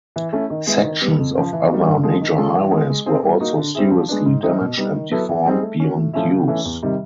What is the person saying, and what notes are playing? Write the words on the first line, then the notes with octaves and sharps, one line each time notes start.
Sections of other major highways were also seriously damaged and deformed beyond use.
E3
A3 C#4 E4
D#3
G#3 B3 E4
D#3
G3 B3
F2
C#3 F3
E3
G3 A#3 D#4 F#4
G2
D3 F3 G#3
D#3
G#3 C#4 F4 A4
E3
G#3 B3
G#3
C4 D#4 G#4
G3
A#3 D#4 F#4
D3
G3 C4 E4 G#4
F3
G#3 B3 D4
G#2
E3 G3 C4 D#4
B2
G3 B3 D#4
D#3
F#3 B3 E4 A4
E3
G3 C4 D#4 G#4
A3
C#4 F#4
A2
F3 A3 C#4 E4
C#3
E3 A3 C#4
E2
C3 D#3 G3